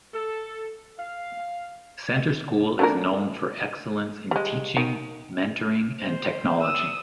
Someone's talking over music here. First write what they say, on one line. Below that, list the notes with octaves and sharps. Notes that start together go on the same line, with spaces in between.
Center School is known for excellence in teaching, mentoring, and technology.
A4
F5
A3 D4 A#4
G3 G#3
D#3
C5
D#6 E6